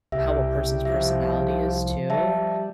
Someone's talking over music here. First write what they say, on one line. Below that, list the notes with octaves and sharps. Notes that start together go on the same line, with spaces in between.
how a person's personality is too.
C2 G4 E5
F3 E5
G3 E5 A5